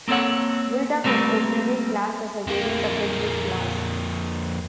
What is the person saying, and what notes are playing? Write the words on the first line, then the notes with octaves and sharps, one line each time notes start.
"Bulldog" was originally classed as a variant of the Duke Class.
A#3 C4 A4 C#5 F#5
G3 A3 A#3 C4 B4
F2 A#3